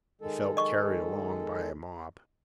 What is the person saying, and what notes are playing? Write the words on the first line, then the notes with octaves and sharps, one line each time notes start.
He felt carried along by a mob.
D#3 G#3 A4
D#5 C#6